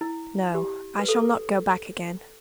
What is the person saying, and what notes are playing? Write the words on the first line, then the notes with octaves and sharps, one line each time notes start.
"No; I shall not go back again."
E4
G4
B4
A4